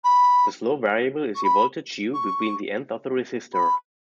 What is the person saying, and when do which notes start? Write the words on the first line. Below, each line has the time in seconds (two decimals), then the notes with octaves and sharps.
The slow variable is the voltage "U" between the ends of the resistor.
0.04 B5
1.35 C#6
1.44 B5
2.13 C#6
3.53 B5